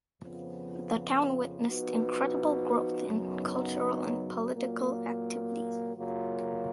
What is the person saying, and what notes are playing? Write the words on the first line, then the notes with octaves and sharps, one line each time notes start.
The town witnessed incredible growth in cultural and political activities.
F2 C#3 F3 B3
F3 B3 D#4 F#4 B4
F#2 C#3 F#3 B3 D#4
A#2 F#3 A#3 F4
F#2 C#3 F#3 A#3 F4